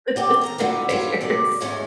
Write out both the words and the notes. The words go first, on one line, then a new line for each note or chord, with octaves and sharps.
with the stick figures.
D3 G4 A5
D#3 A#5
B2 D3 F3 D#4 B4
F#3 G3 F4
F#2 C3 D#3 D5
E2 G#2 G#3 A3 C#4